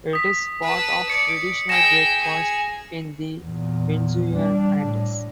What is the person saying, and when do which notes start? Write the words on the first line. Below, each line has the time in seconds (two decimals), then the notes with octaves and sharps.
It is part of traditional breakfasts in the Venezuelan Andes.
0.13 D#6 B6
0.62 B4 A5
1.10 D5 C#7
1.69 G#4 G5 A#6 E7
2.20 G#4
3.40 E2 A#2
4.35 G3 D4
4.85 A2